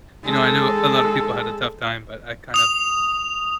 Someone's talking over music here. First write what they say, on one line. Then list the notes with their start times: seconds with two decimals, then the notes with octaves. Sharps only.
You know, I know a lot of people had a tough time, but I kind of
0.25 G#3 A4
2.54 D#6 F7